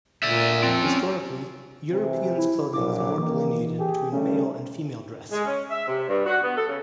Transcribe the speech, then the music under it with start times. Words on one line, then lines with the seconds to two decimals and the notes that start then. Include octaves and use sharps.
Historically, Europeans clothing was more delineated between male and female dress.
0.23 A#2 D5 E5
0.63 C4 F4
0.81 C#4
1.91 C3 E3
2.37 E4
2.74 A#1 A#2 F#3 D6
3.18 D#3 E3 A#3
3.79 G4 G#4
4.12 C#3 G3 A3 C#4
5.32 G#3
5.45 C#4
5.71 E5
5.88 C3
6.09 G2
6.26 F#4
6.43 B3
6.57 A4
6.68 C#3